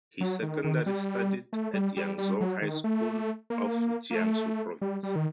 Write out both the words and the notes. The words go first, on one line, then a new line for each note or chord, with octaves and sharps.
He secondary studied at Yangzhou High School of Jiangsu Province.
F#3
D#3
D#3
G3
A3
G3
G3
G3
F#3
D#3
A3
A#3
A#3
A3
G3
G3
D#3